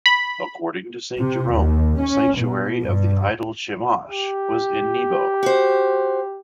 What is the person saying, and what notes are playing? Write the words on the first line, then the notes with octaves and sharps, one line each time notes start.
According to Saint Jerome, the sanctuary of the idol Chemosh was in Nebo.
B5
C3
D#2
C#4
B2
G2
G4
F#4 C5